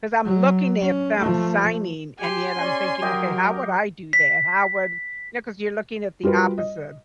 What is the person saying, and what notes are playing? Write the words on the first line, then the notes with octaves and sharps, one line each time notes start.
'cause I'm looking at them signing, and yet I'm thinking, "Okay, how would I do that? How would" you know, 'cause you're looking at the opposite.
F#3
C#4
F3 A3
G4 G#5 C6
C#4 D5
F#3 G4 A#4 D#5 G5
B6
G3 F4 F#4 A#4 B4
D#5